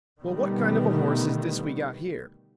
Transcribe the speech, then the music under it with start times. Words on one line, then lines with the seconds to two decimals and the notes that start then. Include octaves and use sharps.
Well, what kind of a horse is this we got here?
0.23 B2 D3 D#3 G3 A3 B3